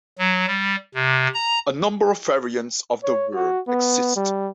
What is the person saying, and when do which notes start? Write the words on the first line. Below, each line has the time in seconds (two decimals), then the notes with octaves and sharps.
A number of variants of the worm exist.
0.18 F#3
0.47 G3
0.94 C3
1.34 A#5
3.04 C#5
3.35 F#4
3.68 B3
4.16 G3